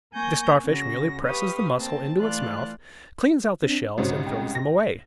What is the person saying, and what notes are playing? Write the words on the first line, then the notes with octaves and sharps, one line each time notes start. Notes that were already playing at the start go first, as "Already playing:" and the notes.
The Starfish merely presses the mussel into its mouth, cleans out the shells, and throws them away.
A#3 G#5 C#6 G6 A#6
C#3 F#4 A#6
G4 B4 F5 C#6 D#6
A#3 C4 A5
E3 A3 F4 D5 F5 F#6
C4 D4
C2 G#2 C#3 F#4 C5 C#5
G5
A#6